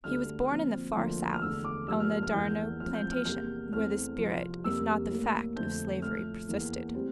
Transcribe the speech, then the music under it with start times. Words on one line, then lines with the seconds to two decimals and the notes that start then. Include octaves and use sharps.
He was born in the Far South, on the d'Arnault plantation, where the spirit if not the fact of slavery persisted.
0.04 D2 D3 G3 F6
0.50 A#2 F3 C4
0.96 D2 D3 F3 A#3
1.34 F6
1.41 E2 D3 A3 E6
1.64 D6
1.88 G2 F3 A#3 E6
2.00 F6
2.12 F6
2.23 F6
2.34 E2 E3 A#3 G6
2.79 A2 F3 C4 F6
2.95 G6
3.11 F6
3.25 E2 C3 G3 A#3 G6
3.72 E2 E3 A3 C4 F6
4.18 C2 C3 F3
4.64 F2 C3 G3 A#3 E6
5.10 A2 G3 A#3
5.56 F2 D3 A3 C4 G6
6.02 A2 F3 A3 F6
6.49 E2 E3 A#3
6.94 A2 G3 C4